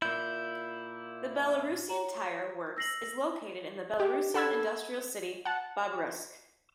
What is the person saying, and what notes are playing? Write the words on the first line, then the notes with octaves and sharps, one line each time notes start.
The Belarusian tyre works is located in the Belarusian industrial city Babruysk.
A#2 E4 G6
C#5 A#5
E6 A#6 C7 F#7
G4
A4 F#5 B5 E6 G#6
F#5 A5